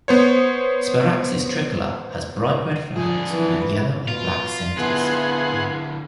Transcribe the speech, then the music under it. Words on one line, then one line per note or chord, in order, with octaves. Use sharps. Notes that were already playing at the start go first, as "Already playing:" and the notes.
"Sparaxis tricolor" has bright red flowers with yellow and black centres.
B3 C5 C#5
D3 F3 G#4
E3
B2 F4
D3 B3 E4 G#4 F#5 C6